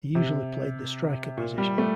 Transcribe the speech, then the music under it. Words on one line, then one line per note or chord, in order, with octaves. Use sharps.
He usually played the striker position.
C3
A#2
G3
A3